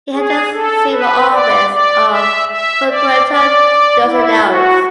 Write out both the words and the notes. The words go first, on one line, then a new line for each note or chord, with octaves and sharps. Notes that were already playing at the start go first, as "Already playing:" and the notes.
He held the civil office of Procurator ducenarius.
G#4
A4
B4
D5
D5
E5
E5
D5
D5
E4
F#4